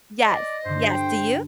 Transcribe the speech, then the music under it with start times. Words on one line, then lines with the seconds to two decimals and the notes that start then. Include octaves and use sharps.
Yes, yes, do you?
0.24 D5 D#5
0.65 G2 D3 C5
0.92 G5